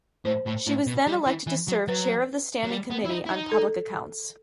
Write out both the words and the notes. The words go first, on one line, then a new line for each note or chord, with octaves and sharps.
She was then elected to serve chair of the Standing Committee on Public Accounts.
A2 C5
A2
A2
B2
G3
E3
E3
F#3
F#3 B4
F#3
G3
B3
E4
D#4
E4
D#4
A4